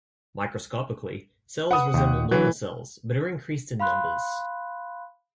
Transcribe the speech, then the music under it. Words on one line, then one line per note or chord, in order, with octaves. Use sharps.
Microscopically, cells resemble normal cells but are increased in numbers.
B4 F#5 D#6
D#2 G5
E3 F#3
F5 B5 C6 F#6